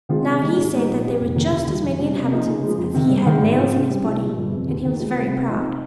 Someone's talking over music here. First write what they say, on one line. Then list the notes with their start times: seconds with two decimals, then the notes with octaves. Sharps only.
Now he said that there were just as many inhabitants as he had nails in his body; and he was very proud.
0.09 D#3 G#3 C4 F4
0.25 C3
0.41 D#3 G3 A#3 D#4
0.57 G#2
0.72 G3 A#3 D#4
0.88 A#1
1.05 A#2 F3 C4 G4
1.20 F1
1.35 F2 D#3 A#3 C#4
1.52 D#2
1.67 D#3 G3
1.83 F2
1.99 C3 G3 C#4
2.15 C3
2.31 F3 A#3 D#4 A#4
2.46 C#3
2.63 F3 G#3
2.78 F2
2.94 C3 D#3
3.09 G2
3.26 D#3 G#3
3.41 G#1
3.58 G#2 F3 C4
3.73 C3
3.89 G3 C4
4.05 C2
4.21 A#2 F3 G#3
4.37 G1
4.52 F2 C3
4.68 D#2
4.85 D#3 A#3
5.00 C#2
5.16 C3 G3
5.32 C3
5.48 F3 C4 D#4